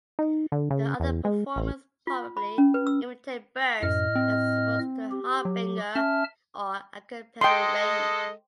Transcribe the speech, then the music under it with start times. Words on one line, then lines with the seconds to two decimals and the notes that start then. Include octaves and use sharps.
The other performers probably imitate birds that are supposed to harbinger or accompany rain.
0.19 D#4
0.52 D3
0.70 C#3
1.00 E2
1.25 G#3
1.56 A1
2.07 F4
2.37 B5
2.58 C#4
2.74 B4
2.87 E6
3.82 F#2 A2 D#5 F6
4.15 C4
5.11 G4
5.45 F#3
5.95 C#4 E5 A5 F6
7.41 G#3 A4 D#5 G5 C6